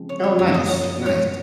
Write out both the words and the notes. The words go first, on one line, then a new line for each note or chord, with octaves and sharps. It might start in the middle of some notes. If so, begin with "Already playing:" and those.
Oh, nice, nice.
Already playing: C#3 F3 G#3 C4
C#5
C#5
F#2 F3 A#3 C#5
D#5
C#5
D#5
C#5